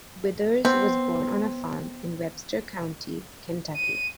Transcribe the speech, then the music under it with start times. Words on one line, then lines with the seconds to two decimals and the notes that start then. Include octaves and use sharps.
Withers was born on a farm in Webster County, Kentucky.
0.65 B3 C4
3.77 D#7